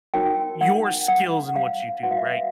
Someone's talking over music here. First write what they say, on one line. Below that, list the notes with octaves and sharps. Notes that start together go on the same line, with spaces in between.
your skills and what you do, right?
D#4 F#4 A#4 C#5 G5
F#5
F#5
F5
F#4 B4 F#5
F5
E5
F5